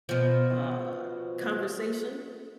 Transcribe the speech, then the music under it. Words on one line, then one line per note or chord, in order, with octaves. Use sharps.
uh, conversation,
B2 F3